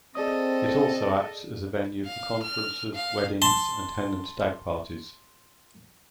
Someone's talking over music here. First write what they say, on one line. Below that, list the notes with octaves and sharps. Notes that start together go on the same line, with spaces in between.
It also acts as a venue for conferences, weddings and Hen and Stag parties.
C4 G#4 A4 D5 D#5 D#6
F5
F6
F5
A5 C6